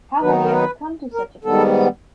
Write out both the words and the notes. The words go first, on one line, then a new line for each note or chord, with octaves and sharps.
How had he ever come to such a place?
D#3 F#3 B3 D#4 B4
A#4
B4
A#4
G#2 D#3 G3 B3 A4